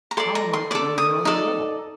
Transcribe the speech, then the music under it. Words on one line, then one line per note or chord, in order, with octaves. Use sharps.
"How am I to know you're on the level?"
A#5
A4 D5 C6
A#5
C6
A4 D5 D6
D#6
D#4 A4 D5